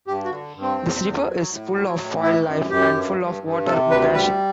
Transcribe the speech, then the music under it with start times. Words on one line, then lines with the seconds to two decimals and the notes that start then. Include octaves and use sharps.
This river is full of wildlife and full of water moccasin.
0.07 G2 G4
0.25 F#4
0.31 D3
0.55 G2
0.62 C4
0.79 E2
1.03 E2
1.27 F#3
1.51 A2
1.74 F#3
1.99 A2
2.22 E3 E4
2.46 F#2
2.70 F#2 G4
2.95 G2
3.19 G2
3.43 G2
3.66 C3 A4
3.90 D2 B4
4.14 G3 B4